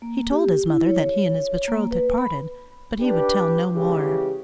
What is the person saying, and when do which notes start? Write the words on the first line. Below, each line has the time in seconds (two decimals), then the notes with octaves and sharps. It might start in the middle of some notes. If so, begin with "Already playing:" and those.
He told his mother that he and his betrothed had parted; but he would tell no more.
0.02 A#3
0.31 G4
0.66 E4
0.86 C#5
1.68 A#3
1.91 B4
2.18 B5
3.01 D4 G4 B4
3.75 C#3 E3 G#3 G4